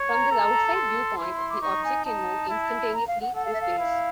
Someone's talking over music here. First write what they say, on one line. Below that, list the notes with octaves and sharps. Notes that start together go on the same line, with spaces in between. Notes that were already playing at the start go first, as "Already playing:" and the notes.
From this outside viewpoint, the object can move instantaneously through space.
Already playing: C#5
A#5
A4
C6
E4
D6
D#4 C#6
G#5
D#4 A5
E4
A#5
F5
F#5
A4 F#5
F5
E5
F5
E4